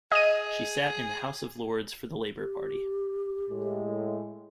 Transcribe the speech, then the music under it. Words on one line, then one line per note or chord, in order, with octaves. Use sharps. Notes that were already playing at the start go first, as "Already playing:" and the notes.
She sat in the House of Lords for the Labour Party.
G#4 D#5 D#7
G4
A2 G#3